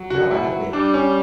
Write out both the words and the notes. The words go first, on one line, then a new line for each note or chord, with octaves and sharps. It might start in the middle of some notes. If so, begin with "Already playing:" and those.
No, I haven't.
Already playing: F#3
F#4
E4
G3 D4
C#4